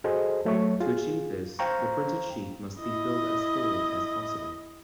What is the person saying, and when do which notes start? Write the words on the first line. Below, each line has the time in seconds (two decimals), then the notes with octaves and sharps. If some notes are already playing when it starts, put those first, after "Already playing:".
To achieve this, the printed sheet must be filled as fully as possible.
0.04 F#4 G#4 A4 C5 D#5
0.45 F#3 A3 C#5 C#6
0.80 F4 G#4
1.59 C5 F5 G5 A#5 C#6
2.80 E4 D#5